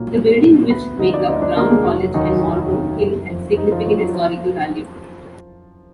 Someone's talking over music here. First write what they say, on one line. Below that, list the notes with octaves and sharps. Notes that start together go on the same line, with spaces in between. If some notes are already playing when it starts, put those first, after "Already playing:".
The buildings which make up Brown College and Monroe Hill have significant historical value.
Already playing: B1 A#2 F#3 A#3
B1
A#2 F#3
D2 B3 B4
D3 F3 D#4 D#5
D4 D5
D2 D#4 D#5
D4 D5
D3 F3 A#3 A#4
G#3 G#4
F1 F#3 F#4
F#3 F#4
D#2 D#3 F#3 D#4
F1
D#2 D#3 F#3
F#1
F2 F3
F#1 D#4
F3 F4
F2 F3 F#3 F#4
F#3 F#4
F3 F4